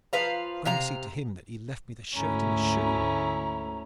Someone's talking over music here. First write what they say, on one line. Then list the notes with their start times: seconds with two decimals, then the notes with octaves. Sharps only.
Gramercy to him that he left me the shirt and the shoon.
0.13 F3 B4 F5 A#5
0.65 C3 F5 A#5
2.15 D2 G#2 A3 C#4 E4 A#5